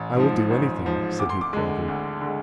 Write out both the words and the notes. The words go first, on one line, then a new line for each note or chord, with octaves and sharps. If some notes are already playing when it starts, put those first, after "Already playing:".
"I will do anything," said Hoopdriver.
Already playing: A1
G#2 F3
A1
G#2 F3
D2 D6
C6
D6
D3 G#3
D2
D3
G#3